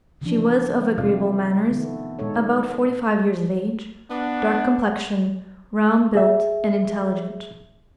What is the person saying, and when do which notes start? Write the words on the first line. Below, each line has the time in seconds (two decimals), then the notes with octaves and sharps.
She was of agreeable manners, about forty-five years of age, dark complexion, round built, and intelligent.
0.21 C#3 E3 F3 D4
0.98 C3 A3 C4 F4 D5 F5
1.70 D#3 A3 B3
2.19 A#2 G#3 D#4 A4 C#5
4.10 B3 D4 F#5
6.15 G#4 E5